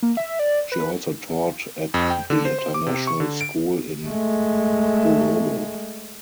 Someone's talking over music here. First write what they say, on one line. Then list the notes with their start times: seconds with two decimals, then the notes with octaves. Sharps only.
She also taught at the international school in Bulolo.
0.03 A#3
0.17 E5
0.39 D5
0.72 B4
1.94 F2
2.10 G5
2.30 D3
2.45 C5
2.59 C5
2.74 D6
2.87 C3
3.07 C#6
3.20 D3
3.41 D7
4.06 G#3 A3